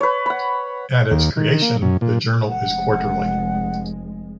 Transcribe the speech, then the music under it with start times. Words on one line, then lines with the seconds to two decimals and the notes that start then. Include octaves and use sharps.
At its creation, the journal is quarterly.
0.01 B4 C#5
0.26 F#5 B5
1.11 D#2
1.37 D#3
1.62 A#3
1.82 F#2
2.01 A#2
2.48 F1 G#3 F#5